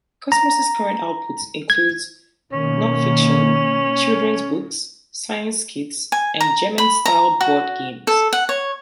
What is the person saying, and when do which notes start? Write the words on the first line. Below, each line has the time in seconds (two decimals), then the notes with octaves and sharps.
Kosmos's current output includes non-fiction, children's books, science kits and German-style board games.
0.32 A#5
1.70 G#6
2.52 B2 D#3 A#3 C#4
6.12 G#5
6.41 A#5
6.78 B5
7.06 A#5
7.41 F#4
8.07 A4
8.33 F#5
8.49 C#5